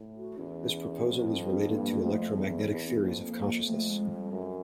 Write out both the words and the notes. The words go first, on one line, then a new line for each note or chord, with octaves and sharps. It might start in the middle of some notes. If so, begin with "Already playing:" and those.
This proposal is related to electromagnetic theories of consciousness.
Already playing: A2
F#4
E2 C#4
F2 C4
G2 A#3
F2 A3
E2 B3
B3
E2
C4
F2 A#3
F2
F2 A3
G#3
G3
F#2 F#3